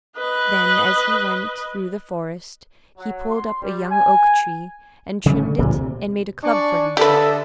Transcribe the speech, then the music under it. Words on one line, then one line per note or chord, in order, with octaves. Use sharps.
Then, as he went through the forest, he pulled up a young oak tree and trimmed it and made a club for himself.
B4 D#5
F#3
C6
G3
G#5
C#3 G3 C#4
D3
D2 A#2 C#3 F3
C3
D4 D5 G#5 C#6
D3 D4 G4 A4 B4 D#5 E5